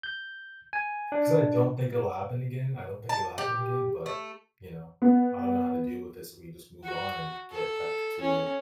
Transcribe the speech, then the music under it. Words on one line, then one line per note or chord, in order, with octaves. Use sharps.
'cause I don't think it'll happen again, I don't think it'll happen again but, you know, I don't know how to deal with this so we just move on and get back to
G6
G#5
D4
A5
G4
A3
B3
F#4
A4
C#4